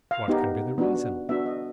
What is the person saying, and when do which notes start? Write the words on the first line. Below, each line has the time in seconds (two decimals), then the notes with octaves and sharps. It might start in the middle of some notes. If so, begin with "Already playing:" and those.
What can be the reason?
0.11 F5
0.28 B3 D#4 G4
0.78 B3 D4 F#4
1.29 B3 D4 F#4 E5
1.46 D#5